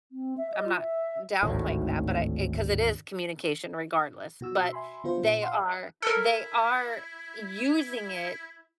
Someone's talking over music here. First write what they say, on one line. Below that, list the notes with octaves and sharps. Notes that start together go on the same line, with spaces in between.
I'm not downplaying that, but I 'cause it is communication regardless, but they are they are using it
C4
E5
D#5
F4
E5
G#1 D2 A2
B2 F#4 E6
E5 G#5 B5 C6
D3 B3 F4 C5
A#2
F5 F#5 C6
E4 A4 A#4